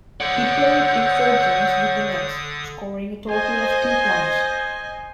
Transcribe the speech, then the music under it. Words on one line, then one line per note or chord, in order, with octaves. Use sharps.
He played in four games with the Nets, scoring a total of two points.
D3 C#5 D5 F#5 D#6 E6 G6
C5 D#5 G#5